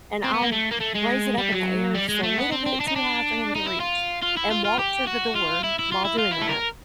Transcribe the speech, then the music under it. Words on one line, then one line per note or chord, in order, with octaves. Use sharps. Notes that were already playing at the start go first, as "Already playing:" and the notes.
and I'll raise it up in the air just a little bit too high for him to reach and walk to the door while doing that,
C4
B3
A#3
A3
A#3
A3
G#3
G3
F#3
G3
G#3
A3
B3
C4
C4
D4
D#4
D4
D#4
E4
F4
F4
E4
F4
F4
G4
F#4
F4
E4
E4
F4
E4
F4
E4
A4
A#4